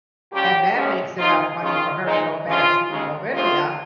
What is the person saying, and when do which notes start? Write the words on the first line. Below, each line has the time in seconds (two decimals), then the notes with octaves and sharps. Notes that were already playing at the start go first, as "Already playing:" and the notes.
and that makes enough money for her to go back to Bolivia
0.32 A#2 G3 C#4 G4
0.75 F2 C3 F3 G#3 C#4
1.17 C3 F3 A#3 D#4 F4
1.60 D#2 D#3 G#3 C#4 F4
2.04 A#2 G#3 D#4
2.46 G2 F3 G#3 C#4 F4
2.89 D#2 C#3 G#3
3.31 F2 C3 D#3 G#3 C4 F4